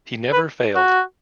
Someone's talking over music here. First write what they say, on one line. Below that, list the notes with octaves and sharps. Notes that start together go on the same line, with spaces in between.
He never failed.
B4
F#4